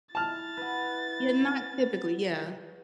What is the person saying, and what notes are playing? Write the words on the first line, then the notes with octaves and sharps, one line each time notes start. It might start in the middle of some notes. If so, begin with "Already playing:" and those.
Yeah, not typically, yeah.
E4 A5 F6 A6
B4 F#5